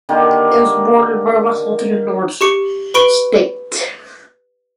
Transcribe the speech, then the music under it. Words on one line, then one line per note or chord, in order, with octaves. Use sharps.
It was bordered by Russell to the north, Ste.
D3 D#3 A#3 G4
G4 C#6 C#7
B4 B5 C#6 D7 G7